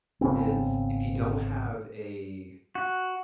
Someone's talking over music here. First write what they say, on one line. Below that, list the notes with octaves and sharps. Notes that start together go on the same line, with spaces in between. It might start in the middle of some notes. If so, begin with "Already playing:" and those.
is, if you don't have a
G#1 C#3 B3 C4
F#4